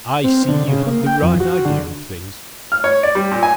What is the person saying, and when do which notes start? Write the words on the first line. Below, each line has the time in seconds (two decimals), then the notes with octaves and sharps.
I see you have the right idea of things.
0.24 C4
0.48 D3
0.68 C#3
0.87 A#3
1.06 G5
1.22 F2
1.40 F#4
1.65 D3
2.72 F6
2.84 C#5
3.03 D5
3.15 G3
3.31 A#2
3.43 G#5